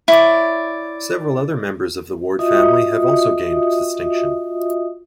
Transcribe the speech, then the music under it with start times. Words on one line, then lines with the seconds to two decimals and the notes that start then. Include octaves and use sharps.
Several other members of the Ward family have also gained distinction.
0.08 E4 C#5 D5
2.39 F4 F#4 D#5 E5 D#6